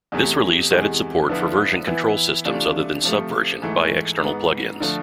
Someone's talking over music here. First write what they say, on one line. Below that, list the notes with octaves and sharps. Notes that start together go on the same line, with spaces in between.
This release added support for version control systems other than Subversion by external plugins.
E2 C3 E3 A3
E2 C3 E3 G#3
D3 F3 B3 E4
E3 B3 E4
C3 E3 A3 D4 F4
C3 F3 A3
G#2 E3 A3
G#2 G#3 B3
D3 F3 A3